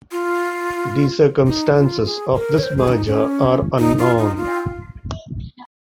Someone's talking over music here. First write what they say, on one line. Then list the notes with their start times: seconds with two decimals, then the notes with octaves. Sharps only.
The circumstances of this merger are unknown.
0.12 F4
1.47 D#4
1.77 F4
2.05 G#4
2.34 A#4
2.58 C#5
2.63 C5
2.78 G#4
2.88 C#4
2.92 D#4
3.06 C#4
3.79 D#4
3.99 F4
4.18 D#4
4.37 F4